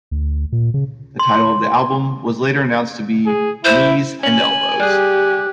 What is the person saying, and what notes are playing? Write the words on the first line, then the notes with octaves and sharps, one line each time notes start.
The title of the album was later announced to be "Knees and Elbows".
D2
A#2
C#3
C6
G#4
E4 C5
C#4 G#5 F#7
G3 G4 G#4 F#6